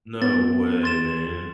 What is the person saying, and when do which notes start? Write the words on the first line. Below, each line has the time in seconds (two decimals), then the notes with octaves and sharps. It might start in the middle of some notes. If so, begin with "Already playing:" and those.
No way, man.
0.22 B3 A6
0.83 C6 A6 E7